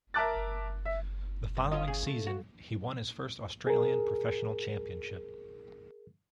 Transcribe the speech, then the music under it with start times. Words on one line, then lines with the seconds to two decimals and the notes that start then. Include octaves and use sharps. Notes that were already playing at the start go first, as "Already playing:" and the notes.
The following season he won his first Australian Professional Championship.
0.14 A#4 E5 A5 D6 F#6 A6
0.85 E5
1.57 G2
1.72 C#4 F4 D#5
1.87 C#3 G#4
2.07 A3
2.27 F#4
3.67 G#4 A#4